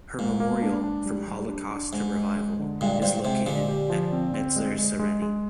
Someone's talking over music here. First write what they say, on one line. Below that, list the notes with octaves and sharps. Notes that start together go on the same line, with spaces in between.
Her memorial "From Holocaust to Revival" is located at Netzer Sereni.
G#2 A#3
A#3
D4
D4
G3
G3
D4
D4
G#2 G#3
G#3
G#3
D3
G2 A#2 G#3
G2 A#2 C5
G#2 C3 C5
A#2 D3 G#3
G4
F3
C4
C4
G#3
G#3
G#3
G#3